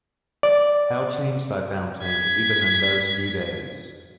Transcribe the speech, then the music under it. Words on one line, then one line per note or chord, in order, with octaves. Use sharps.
How changed I found him, even in those few days!
D5
G#6 B6